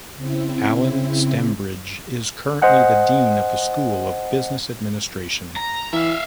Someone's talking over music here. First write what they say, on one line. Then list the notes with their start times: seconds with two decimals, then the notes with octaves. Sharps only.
Allen Stembridge is currently the dean of the School of Business Administration.
0.17 C#3 C4 E4
2.62 C5 D#5 F#5 G#5
5.56 A#5
5.93 E3 E5 F5